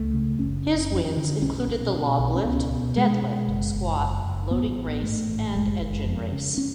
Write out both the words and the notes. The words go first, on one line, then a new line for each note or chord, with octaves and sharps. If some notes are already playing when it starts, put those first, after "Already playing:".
His wins included the log lift, deadlift, squat, loading race and engine race.
Already playing: C#2 A3
C#3
F#1 C#4
F#1
F2
D3
B1 C#4
B2
B2
B1
C#4
C#2 B3
B2
B2 G#3
B2
F#1
F#1
F#1
F#1
A1 B3
A1
G#2 A3
A1
F#1 G#3
F#1
F2
C#3
C#4